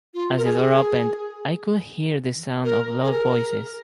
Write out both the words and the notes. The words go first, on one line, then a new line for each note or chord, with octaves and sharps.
As the door opened I could hear the sound of low voices.
F4
A#4
G#4
A#4
G#4
A#4